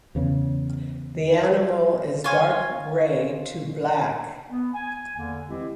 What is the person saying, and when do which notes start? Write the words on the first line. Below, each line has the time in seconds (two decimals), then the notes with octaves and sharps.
The animal is dark grey to black.
0.15 E2 C#3
2.24 F4 C#5 G#5
4.50 B3
4.74 G#5
5.17 E2 D3 A#3
5.49 E3 G#3 C4 E4 G4